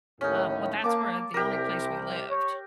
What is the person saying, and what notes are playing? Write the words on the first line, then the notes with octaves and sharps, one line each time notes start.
Um, well, that's where, uh, the only place we lived.
D#2 A2 C#4 D#4
A#3 A5 D6
C2 C3 G4 A#4
C#5